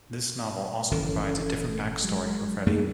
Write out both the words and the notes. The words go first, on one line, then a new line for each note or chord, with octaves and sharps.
This novel also provides a different backstory for Freddy.
F#1 D#3 E3 C#4 A4
A3
F#3 G#3
F#2 G3 A3 A#3 D#4 G#4